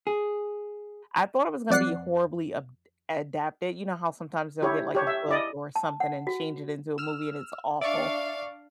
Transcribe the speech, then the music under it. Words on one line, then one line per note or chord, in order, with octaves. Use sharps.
I thought it was gonna be horribly abd adapted, you know how sometimes they'll get like a book or something and change it into a movie and it's awful,
G#4
F2 D5 F#5 F#6 C7
E4 G4 C#5
G4 C#5
E5
E4 D5 D#5
A5
F#5
F#4
E6 F6
D4 D5 E5 F5 C#6